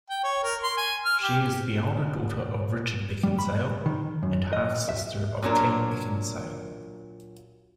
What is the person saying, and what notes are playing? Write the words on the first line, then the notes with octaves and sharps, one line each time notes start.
She is the elder daughter of Richard Beckinsale and half-sister of Kate Beckinsale.
G5
C#5
A#4
C6
G#5
F6
G4
G3
B5
D#3
F#2
D#5
E5
A#2 F#3 D4 A#4